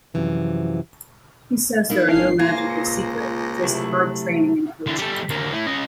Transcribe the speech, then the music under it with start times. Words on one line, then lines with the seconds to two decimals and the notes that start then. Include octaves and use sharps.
He says there are no magical secret, just hard training and coaching.
0.14 F#2 C3 E3 F3
1.90 A#3 D#4 E4
2.09 G#1 C#4 D4 F5 C7
2.39 C#2 A#3 F4 C5 G#5 A#6
3.63 C3 F#3 A3 E4
4.87 D3 E3
4.98 G3 A4
5.29 D2 A#3
5.53 A3 E4
5.66 C#3 D#5